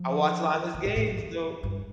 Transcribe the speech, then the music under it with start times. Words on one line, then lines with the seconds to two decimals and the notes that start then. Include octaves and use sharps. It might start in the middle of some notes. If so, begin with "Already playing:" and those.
I watched a lot of his games though.
Already playing: F3
0.74 D3
0.85 A2
0.96 A2
1.07 G2
1.18 F2
1.63 G2